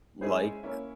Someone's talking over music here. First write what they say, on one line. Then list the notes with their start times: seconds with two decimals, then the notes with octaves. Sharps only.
like f
0.21 G#3 C#4 E4 G#4 C5
0.63 A#3 C#4 E4